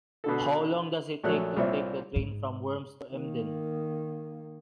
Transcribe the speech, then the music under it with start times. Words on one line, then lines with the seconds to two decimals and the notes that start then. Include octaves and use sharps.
How long does it take to take the train from Worms to Emden?
0.24 B2 D3 A4
1.24 A#1 F#3 A3 C#5 F#6
1.57 C2 A#2 C4 C#5 E5
2.16 G#2
3.11 D#3 A#3